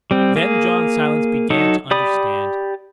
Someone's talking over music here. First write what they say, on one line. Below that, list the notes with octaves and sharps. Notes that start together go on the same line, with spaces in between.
Then John Silence began to understand.
G3 C4
A#3 G#4
F#3 D#4 A4
G4 D5 B5 D#6